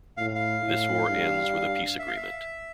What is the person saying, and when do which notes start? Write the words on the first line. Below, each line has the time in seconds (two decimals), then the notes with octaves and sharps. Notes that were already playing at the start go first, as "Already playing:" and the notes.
This war ends with a peace agreement.
0.17 A2 F5
0.35 F5
0.63 A2
1.08 G2
1.99 E5
2.07 F5
2.17 E5